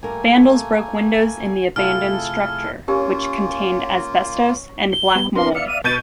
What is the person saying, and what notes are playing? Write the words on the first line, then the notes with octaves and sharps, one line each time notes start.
Vandals broke windows in the abandoned structure, which contained asbestos and black mold.
G3 A3 A#3 A#4 G#5
C3 A3 E4 F4 G#4 A4 F5 F6
A#3 C#4 F4 G4 A#4 F5
G7
G3 B3
B3 C4 D4 A#4 C6
D5 E5 F5 C#7
D#7
B2 B4 G6 A6 D#7